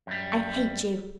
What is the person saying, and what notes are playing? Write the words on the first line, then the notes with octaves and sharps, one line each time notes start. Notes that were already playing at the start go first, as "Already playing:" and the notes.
I hate you.
F#2 G3